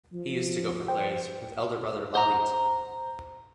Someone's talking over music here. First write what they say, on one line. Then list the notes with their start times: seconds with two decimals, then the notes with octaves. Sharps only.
He used to go for plays with elder brother Lalith.
0.13 F3
0.88 C5 G5
2.15 C5 A#5